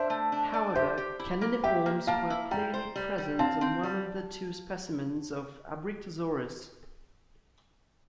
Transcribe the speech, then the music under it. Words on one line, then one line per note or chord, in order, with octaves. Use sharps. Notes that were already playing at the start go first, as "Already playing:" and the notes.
However, caniniforms were clearly present on one of the two specimens of "Abrictosaurus".
Already playing: D4 C5 E5
A3
D4
D5
G4 C5 E5
G4
E4
A#3
G4 E5 G5
A#3
A#3 F5 A5
E4
G3 G5 A#5
C5
G3
G3
C4 F5 A5
C4
G3